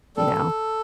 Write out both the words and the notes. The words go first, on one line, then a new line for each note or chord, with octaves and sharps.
you know?
G3 A4